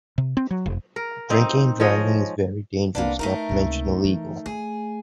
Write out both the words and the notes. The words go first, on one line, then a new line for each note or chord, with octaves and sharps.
Drinking and driving Is very dangerous, not to mention illegal.
C3
C4
F#3
F1
A#4
C4 D#4
F3 G#3 C#5 D#5
C2 A#3 B3 D4
A3 D4 D#4 A#4
C#2 C3
E3
A3 G#4